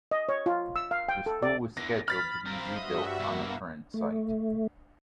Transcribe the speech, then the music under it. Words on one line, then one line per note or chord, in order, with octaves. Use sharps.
The school was scheduled to be rebuilt on the current site.
D#5
C#5
F4
E6
F5
G5
A4
D5
E2 D3 A#6
B5 F6 A6 B6
C4 A#4 C5 F5 B5
G2 F#4 D#5 E5
B2 A#3 E4
A3